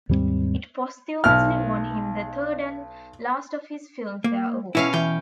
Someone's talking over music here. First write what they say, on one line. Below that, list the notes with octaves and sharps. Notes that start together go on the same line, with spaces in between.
It posthumously won him the third and last of his Filmfare Awards.
D#2 G#2 G3 C4
B1 F6
A#3
B2 C#4 E4 E5 F5
E3 G5